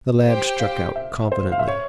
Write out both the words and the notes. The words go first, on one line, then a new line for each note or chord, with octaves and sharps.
The lad struck out confidently.
G4 C5 G5
F5
E5
C5
F5
E5
C#5